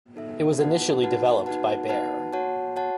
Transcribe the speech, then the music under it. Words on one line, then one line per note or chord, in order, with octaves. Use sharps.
It was initially developed by Bayer.
D#4 A4 E5
D#4 F#4 B4 F#5 A5
D#4 F#4 B4 F#5 A5
D#4 F#4 B4 F#5 A5
D#4 F#4 B4 F#5 A5
F#4 C#5 F#5 A5
F#4 C#5 F#5 A5